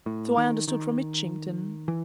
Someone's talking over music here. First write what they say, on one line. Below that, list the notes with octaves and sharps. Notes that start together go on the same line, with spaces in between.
"So I understood from Mitchington."
A2
D#3
D#3
E3